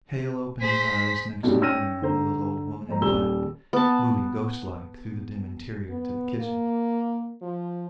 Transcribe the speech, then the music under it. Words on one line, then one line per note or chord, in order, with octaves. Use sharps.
Hale opened his eyes next morning on the little old woman in black, moving ghost-like through the dim interior to the kitchen.
G#4 C5 B6
B1 G2
C#4 G5 E6 F6 A#6 D#7
D3 C5 A#5
F2 C4 A#5
D#1 G3 E6 G7
B3 A5
B3
A#3
F3